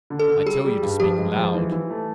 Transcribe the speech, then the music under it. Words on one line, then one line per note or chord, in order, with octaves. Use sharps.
"I tell you to speak loud."
D3
A4
D3
G3 G#4
G3
G2
F3 G4
G#3
F3
E3
E3
A3